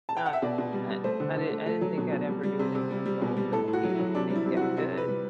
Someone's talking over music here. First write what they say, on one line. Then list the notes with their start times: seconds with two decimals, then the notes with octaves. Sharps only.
not I I did I didn't think I'd ever do it as an adult, but maybe maybe I could.
0.09 A5
0.17 G5
0.26 F#5
0.33 E5
0.42 B2 D5
0.58 B2
0.73 G3
0.89 G3
1.04 A3 C5
1.20 D3
1.35 D3
1.50 A3
1.66 A3
1.81 F#3
1.98 B2
2.13 B2
2.29 G3
2.43 G3
2.59 C3
2.75 C3
2.91 G3
3.06 G3
3.22 B2
3.37 G3
3.53 A2 A4
3.68 A2
3.73 F#4
3.84 F#3
3.94 E4
3.99 F#3
4.15 C3 D4
4.30 G3
4.36 E4
4.46 C3
4.57 F#4
4.61 C3
4.77 C3 E4
4.93 C3 B4
5.08 G3